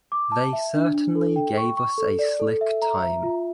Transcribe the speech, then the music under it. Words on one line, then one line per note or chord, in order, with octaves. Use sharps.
They certainly gave us a slick time.
D6
A5
E5
D4
D4
A4
G5
C#6
C#6
A4
D5
A4
E5
A#5
E5
F4